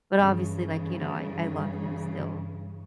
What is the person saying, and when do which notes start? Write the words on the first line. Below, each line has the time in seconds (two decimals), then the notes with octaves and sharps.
But, obviously, like, you know, I I love him still.
0.16 G2 C#3 E3